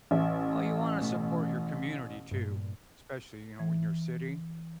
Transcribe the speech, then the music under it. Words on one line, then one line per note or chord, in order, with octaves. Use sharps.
Oh, you wanna support your community too, especially, you know, in your city,
A1 E5
B2 E3 A3
G2 A#2
E3